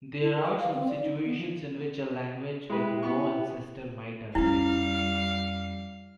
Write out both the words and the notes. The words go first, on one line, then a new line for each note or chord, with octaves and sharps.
There are some situations in which a language with no ancestor might arise.
E4
A#4
B4
F5
C4
D5
D#4
B3
F3
G#3 E4 G4 B4
B3 C#6
F2 G3 C#4 E4 F5